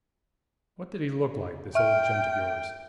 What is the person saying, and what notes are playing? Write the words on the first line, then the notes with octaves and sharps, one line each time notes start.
'What did he look like,--this old gent of yours?'
E5 G5 F6